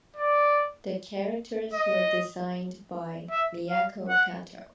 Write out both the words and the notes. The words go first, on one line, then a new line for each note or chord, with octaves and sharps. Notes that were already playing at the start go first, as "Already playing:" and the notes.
The characters were designed by Miyako Kato.
D5
D#5
E5
F5
F#5